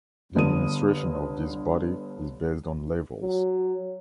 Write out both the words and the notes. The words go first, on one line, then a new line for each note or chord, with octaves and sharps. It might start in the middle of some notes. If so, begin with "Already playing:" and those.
The administration of this body is based on levels.
G1 D3 D#6 D#7
F#3